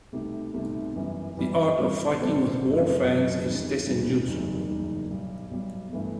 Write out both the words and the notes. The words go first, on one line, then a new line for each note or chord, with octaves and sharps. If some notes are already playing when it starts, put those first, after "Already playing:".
The art of fighting with war fans is tessenjutsu.
C2 B2 A3 D#4 G4
C2 B2 A3 D#4 G4
F#2 E3 G3
F#2 E3 G3
B2 G3 C4
B2 G3 C4
F#1 F#2 F#3
F#1 F#2 F#3
E2 D#3 G3
E2 D#3 G3
F#1 E2 D#3 G3 D#4
F#1 E2 D#3 G3 D#4
B1 B2 G3
B1 B2 G3
G2 E3 A3